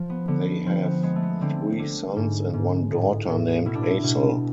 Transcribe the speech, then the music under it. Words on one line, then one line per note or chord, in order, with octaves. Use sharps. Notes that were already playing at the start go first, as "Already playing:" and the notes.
They have three sons and one daughter named Asil.
Already playing: F3
B3
D3 B3
F3 C4
B3
G#3 B3
A3
B3
D3 C4
D3
G#2
G#2
A2
A2
B2 E4
D4
E4
B2